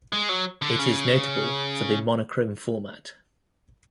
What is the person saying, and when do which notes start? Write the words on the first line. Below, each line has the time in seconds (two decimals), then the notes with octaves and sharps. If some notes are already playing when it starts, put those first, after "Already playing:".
It is notable for the monochrome format.
0.12 G#3
0.29 F#3
0.62 D3
0.79 C#3